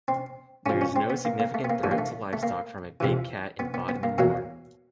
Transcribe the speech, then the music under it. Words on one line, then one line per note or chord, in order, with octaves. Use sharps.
There is no significant threat to livestock from a 'big cat' in Bodmin Moor.
C4
G#2 F3 C#4
C#4
C4
B3
A#3
A#3
A3
B3
A#3
G2 E3 A3
A#3
A3
A3
A#3
F2 C3 E3
B3
B3
B3
A#3
E2 B2 F#3 A#3